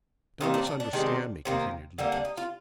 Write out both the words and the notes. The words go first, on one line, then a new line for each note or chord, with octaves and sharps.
"Don't misunderstand me," continued Lupex.
C3 D#3 A#3 D#4
D4
D4
D4
C3 D#3 G#3 C4
C3 D#3 A#3
D3 G3 A#3
D4
D#4
F4